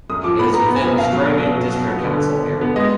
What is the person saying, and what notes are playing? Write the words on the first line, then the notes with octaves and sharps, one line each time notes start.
It is within the Strabane District Council area.
F#2 D#6
F3 D6
B3 B5
B3 A#5
B3
G#5
F#2
B2 F5
F#3
B3
B2
F#3
B2
B3
D3
D3
D3
D3
B3
G#3 D#5